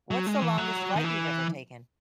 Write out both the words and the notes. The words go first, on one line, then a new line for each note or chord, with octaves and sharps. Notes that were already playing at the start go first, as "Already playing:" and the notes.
What's the longest flight you've ever taken?
F#3
G#3
E3
F#3
D#3
E3